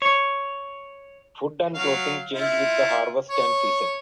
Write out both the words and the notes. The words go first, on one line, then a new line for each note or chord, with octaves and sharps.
Food and clothing change with the harvest and season.
C#5
F#3 F5
E4 F4
C#5